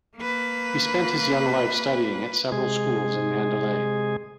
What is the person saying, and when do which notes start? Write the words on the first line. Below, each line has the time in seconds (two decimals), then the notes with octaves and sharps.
He spent his young life studying at several schools in Mandalay.
0.17 A#3 B4
2.52 C3 G#3 G#4